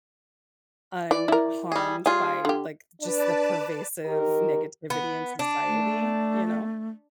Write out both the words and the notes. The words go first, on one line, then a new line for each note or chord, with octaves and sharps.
unharmed by, like, just the pervasive negativity in society, you know?
E3 D5
E4 A#4
G3 G#4
G3 F4 G#4
D3 G4
D4 B4 D5 A5
D#3 G4 A#4
B3
D4
A3